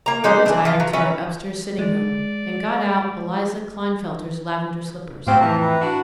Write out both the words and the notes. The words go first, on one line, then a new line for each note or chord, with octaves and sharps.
I retired to my upstairs sitting-room and got out Eliza Klinefelter's lavender slippers.
A#3 A#5
G#3 D#4 C5 D5
E3 D4
F3 F4
F#3
E3 C#4 B4
G#3 D5
A2 F#3 C4 F4 G4 F5 G5
F2 E3 A5 A#5
B4 A#5
D4 F#4